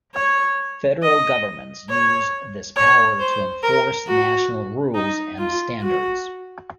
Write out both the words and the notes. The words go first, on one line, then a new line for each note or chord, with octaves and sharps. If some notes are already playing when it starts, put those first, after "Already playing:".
Federal governments use this power to enforce national rules and standards.
C#5
D#5
C#5
C#5
C5
A#4
F#4
D#4
F4
F#4